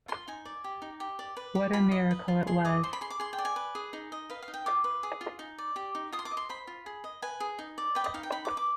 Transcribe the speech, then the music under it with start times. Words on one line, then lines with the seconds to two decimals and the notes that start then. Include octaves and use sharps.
What a miracle it was!
0.08 F4 C6
0.28 D#4 G#5
0.45 D5
0.64 G4
0.82 D#4
1.00 G4
1.19 D5
1.37 B4
1.55 G4
1.73 F4 B5
1.92 D#5
2.11 B4
2.28 F4
2.47 G#4 C6
2.65 D#5 D6
2.83 C5 C6
2.93 B5
3.01 G#4 C6
3.10 D6
3.20 G#4 C6
3.33 G5
3.38 D5
3.45 G#5
3.56 B4
3.75 G#4
3.93 D#4
4.12 D#5
4.30 B4 F5
4.42 F5
4.48 D#4
4.54 G5
4.66 F4 D6
4.84 B4
5.03 G#4
5.21 F4
5.39 D#4
5.58 D5
5.76 G4
5.95 D#4
6.12 F4 D#6
6.19 C6
6.25 D6
6.31 D#5
6.37 C6
6.49 C5 B5
6.67 F4
6.86 G#4
7.04 D#5
7.22 B4 G#5
7.40 G#4
7.59 D#4
7.78 D5
7.95 B4 G5
8.04 D#5
8.14 D#4 F5
8.23 G5
8.32 D#4 B5
8.45 D6
8.50 B4
8.57 D6